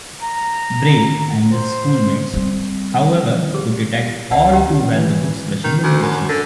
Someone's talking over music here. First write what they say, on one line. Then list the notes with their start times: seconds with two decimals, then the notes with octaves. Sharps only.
Braille and his schoolmates, however, could detect all too well the books' crushing limitations.
0.23 A#5
1.52 C5
2.34 G3 C4
3.54 G4 G#4
4.31 C#2 D5 F#5 A5
4.53 C#4 G4 A#5
4.93 E3
5.64 D#3
5.83 D2
6.03 F#2
6.29 D3